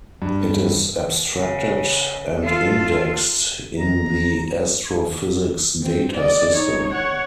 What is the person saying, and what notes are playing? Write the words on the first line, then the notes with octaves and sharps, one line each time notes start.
It is abstracted and indexed in the Astrophysics Data System.
G2
C#3
F4 A4
A#5
C4
D5 D#5
D#4 C#5
C#5 F#5